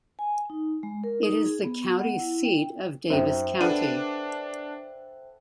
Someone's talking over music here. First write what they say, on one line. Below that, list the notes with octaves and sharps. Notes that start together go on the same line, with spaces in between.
It is the county seat of Davis County.
G#5
D#4
G#3
A#4
D#4
G#4
B3
F#5
E4
G5
F#2 D#4 C5 E5 G5
D4 A4 B4 F#5 D#7